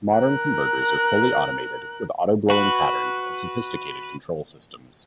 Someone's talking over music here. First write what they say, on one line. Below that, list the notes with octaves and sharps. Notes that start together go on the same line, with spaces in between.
Modern converters are fully automated with auto blowing patterns and sophisticated control systems.
A#4 F#6
F#4 B4